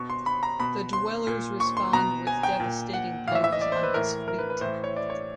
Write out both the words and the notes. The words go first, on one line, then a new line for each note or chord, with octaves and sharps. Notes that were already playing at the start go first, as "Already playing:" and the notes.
The Dwellers respond with devastating blows on his fleet.
Already playing: B2 C#6
C6
B5
A#5
B2 B5
C6
A#2
C#6
C6
B2 A#5
G#5
G5
A#2
F#5
A2 E3 E5 F5
E5
D#5
D5
C5
B4
A2 E3 A#4
A#4
B4
B4
A2 E3 C5
C#5
D5
C#5